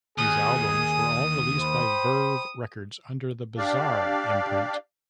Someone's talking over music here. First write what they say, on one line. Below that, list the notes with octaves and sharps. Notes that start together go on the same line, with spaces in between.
These albums were all released by Verve Records under the Bizarre imprint.
D#2 G#4 G#5 D#6
C5 G5 B5
D4 G4 D5 F5